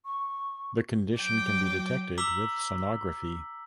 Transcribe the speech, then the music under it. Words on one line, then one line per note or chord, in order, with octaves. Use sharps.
The condition can be detected with sonography.
C#6
F#3 G5 D6
A#5 D6 E6 B6 F#7 G7